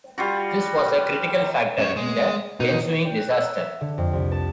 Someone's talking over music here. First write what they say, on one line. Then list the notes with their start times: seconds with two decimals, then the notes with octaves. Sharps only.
This was a critical factor in the ensuing disaster.
0.18 G3 F4 F#4
1.78 F#2 C#5
1.96 G#3
2.60 B2 D#4
3.05 G5
3.16 F#6
3.31 E6
3.60 E5
3.81 D3
3.98 F2
4.13 C2
4.32 A5